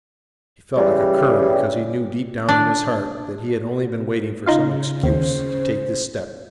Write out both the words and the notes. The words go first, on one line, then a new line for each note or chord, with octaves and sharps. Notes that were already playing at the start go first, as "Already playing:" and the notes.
He felt like a cur, because he knew deep down in his heart that he had only been waiting for some excuse to take this step.
C#3 E3 G3
D4
C#3 D#4 F4 F5
D#2 C5